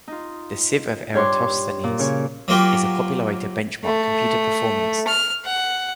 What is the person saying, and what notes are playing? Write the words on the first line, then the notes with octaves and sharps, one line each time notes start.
The sieve of Eratosthenes is a popular way to benchmark computer performance.
D#4 F4
G2 C#5 C6 D6
A#2
C#3 C#4 C#5 C#6
F#3 A#3 F4 G4
A3
F6
F#5